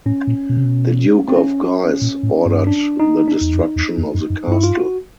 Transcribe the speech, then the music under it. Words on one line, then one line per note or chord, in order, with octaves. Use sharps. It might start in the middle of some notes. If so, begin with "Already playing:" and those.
The Duke of Guise ordered the destruction of the castle.
A2 C#4
A#2
B2
C3
B2
C4
C#4
A#2
A2
G2
D4
D#4
D4
D#4
E2
F2
E2
F2
F#2
F#2
G2 E4
F4
F#4